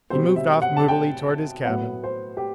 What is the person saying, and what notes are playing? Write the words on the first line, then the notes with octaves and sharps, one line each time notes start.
He moved off moodily toward his cabin.
B2 G3 C4 C5
E5
F#5
A5
G5
A2 F#3 B3 F#5
C5
G4